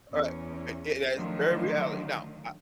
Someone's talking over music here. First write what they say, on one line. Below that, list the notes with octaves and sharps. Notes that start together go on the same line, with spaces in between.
Right, and and that's very reality now, I
E2 C#4
D3 D#3 F3 F#3 A3